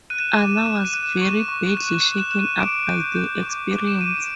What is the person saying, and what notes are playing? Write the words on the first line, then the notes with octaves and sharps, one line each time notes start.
Anna was very badly shaken up by the experience.
F#6 D#7
E7
D#7
D6 E7
D#7
E7
F#6 D#7
E7
D#7
F#6 E7
D#7
E7
C#6 D#7
E7
D#7
C#6
F#6 E7
F#6
E7
F#6
D#7
D6 D7
G6
G6
D6
D6
E7
D6 D#7
D7